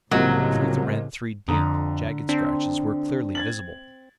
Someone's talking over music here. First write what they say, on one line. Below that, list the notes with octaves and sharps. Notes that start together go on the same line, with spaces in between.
Through the rent three deep, jagged scratches were clearly visible.
C2 A2 C#3 F3 F#3 A#3 C4 D#5
F2 D3 A#5 D#6
C4 D4
G#6 A6 F#7